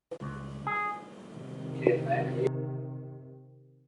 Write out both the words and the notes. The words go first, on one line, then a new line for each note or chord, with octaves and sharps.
Brisbane Water National Park is vulnerable to various environmental threats.
C#2
G#4
C3 D#3